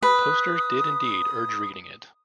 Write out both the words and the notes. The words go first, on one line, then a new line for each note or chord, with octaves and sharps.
Posters did indeed urge reading it.
B4 D#6